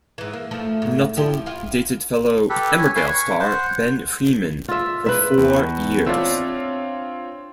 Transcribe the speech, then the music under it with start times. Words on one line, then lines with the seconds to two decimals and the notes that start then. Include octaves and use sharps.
Nuttall dated fellow "Emmerdale" star Ben Freeman for four years.
0.18 G#2 E3
0.33 A#3
0.51 F3 A3 E4
0.82 G#2
1.17 F3 E4 G4
1.46 E4 F4
2.50 G4 A4 B4
2.78 C#5 G#5
2.95 B4 C#5 F5 G#5
3.08 C#6
3.40 C5 F#5
4.68 F4 E5
5.06 B4 E5
5.38 E2
6.06 C4 D4 F4 C#5 E5